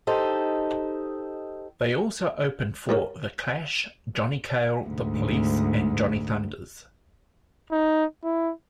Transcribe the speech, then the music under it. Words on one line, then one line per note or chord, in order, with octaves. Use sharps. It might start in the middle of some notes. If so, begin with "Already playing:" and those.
They also opened for The Clash, John Cale, The Police and Johnny Thunders.
D#4 G4 A4 C5 D#5
G3 A#4 C#5
D2 G#2
D#4
E4